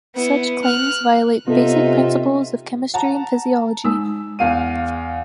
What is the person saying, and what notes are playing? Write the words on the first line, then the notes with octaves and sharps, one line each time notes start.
Such claims violate basic principles of chemistry and physiology.
B3 E4
F6 F#6
C3 B3 D#4 F4 A4 E5
F#5 A5 A#5
G#3 D#4 E6
E2 F5 D#7